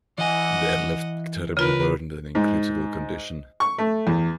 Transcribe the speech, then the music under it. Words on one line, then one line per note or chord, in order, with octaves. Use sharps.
They are left terribly burned and in critical condition.
E3 D#5 F#5 G#5
C#3 F4 A#4 B4
G#2
C#6
A3
E2